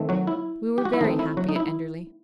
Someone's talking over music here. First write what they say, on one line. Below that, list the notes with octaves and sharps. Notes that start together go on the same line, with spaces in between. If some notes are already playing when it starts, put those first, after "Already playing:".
We were very happy at Enderley.
Already playing: D#3 A3 C4
F#3 F#4
E4
G4
F#4
E4
D#3 A3 C4 D#4
E4
F#3 F#4
D#4
E4